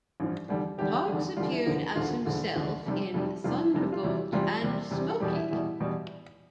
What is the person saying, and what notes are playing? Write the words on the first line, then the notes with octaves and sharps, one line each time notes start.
Parkes appeared as himself in Thunderbolt and Smokey!
A1 G2 F3
F1 E2 D3 G3
F1 E2 D3 G3 G4
F1 E2 D3 G3
F1 E2 D3 G3 F4
E4
E1 D2 D3 F3
E1 D2 D3 F3 F4
E1 D2 D3 F3
E1 D2 D3 F3
F1 F2 C3 G3
F1 F2 C3 G3
F1 F2 C3 G3 F4
F1 F2 C3 G3
F4
E2 C3 G3 E4
E2 C3 G3 F4
E2 C3 G3
E2 C3 G3
A4
E2 B2 G3 G4
E4
E2 B2 G3 E4
E2 B2 G3